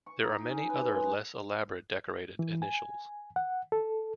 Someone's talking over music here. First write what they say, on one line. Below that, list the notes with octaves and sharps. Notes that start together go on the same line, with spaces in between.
There are many other less elaborate decorated initials.
C#6
D#4
C#4
B4
G#3
E3
G#5
F#5
A4